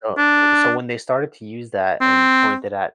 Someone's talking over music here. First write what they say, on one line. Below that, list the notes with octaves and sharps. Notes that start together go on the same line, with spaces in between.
Oh, w so when they started to use that and pointed at
D4
C4